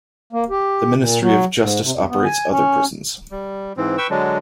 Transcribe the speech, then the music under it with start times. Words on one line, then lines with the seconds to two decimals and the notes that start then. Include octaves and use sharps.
The Ministry of Justice operates other prisons.
0.33 A#3
0.50 G4
0.97 A#2
1.21 F#3
1.58 G#2
1.84 C3
1.96 F2
2.09 B3
2.25 G#5
2.50 C#4
3.31 G3
3.77 G#2 E3 C4
3.98 B4 G5 C#6 E6
4.10 D3 F#3 G#3 D4